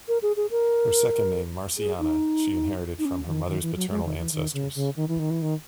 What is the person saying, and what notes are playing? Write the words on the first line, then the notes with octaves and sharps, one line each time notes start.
Her second name "Marciana" she inherited from her mother's paternal ancestors.
A#4
G#4
G#4
A#4
G#4
D#4
D#4
C#4
D#3
D#3
E3
F#3
G#3
D#3
E3
D#3
C#3
C#3
D#3
E3
D#3
E3
D#3